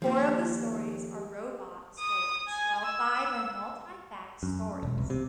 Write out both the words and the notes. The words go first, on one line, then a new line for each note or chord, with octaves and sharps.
Four of the stories are robot stories, while five are Multivac stories.
D#2 F3 G3 A#3 G4
D#6
G#5
E6
F#2
E1
C2
C3